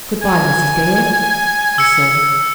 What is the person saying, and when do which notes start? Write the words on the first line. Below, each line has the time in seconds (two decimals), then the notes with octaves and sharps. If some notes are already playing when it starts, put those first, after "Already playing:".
"Good-by, Mrs. Dale," he said.
0.22 G#5
1.78 E6 C#7